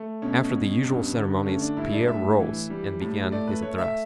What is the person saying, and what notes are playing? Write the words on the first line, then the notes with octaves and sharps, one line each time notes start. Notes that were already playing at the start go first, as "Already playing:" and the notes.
After the usual ceremonies Pierre rose and began his address.
Already playing: A3
B2 C#4
B2
G2
D3
A3 C#4
D4
G2 E4
D5
A2 E5
E3
G3
A2
A3 D5
B4
A3 C#5
E5